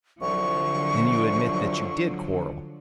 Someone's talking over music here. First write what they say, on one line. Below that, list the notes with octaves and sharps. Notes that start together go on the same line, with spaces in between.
"Then you admit that you did quarrel?"
C2 D3 F3 F#3 C#6